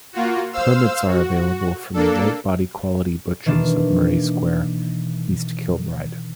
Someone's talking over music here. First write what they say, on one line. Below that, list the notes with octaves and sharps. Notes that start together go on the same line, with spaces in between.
Permits are available from Lightbody Quality Butchers of Murray Square, East Kilbride.
A#3 F4 F#4
C5 F5 E6
F#4
A#3 D4 A4
B2 D#3 E3 A#3 D4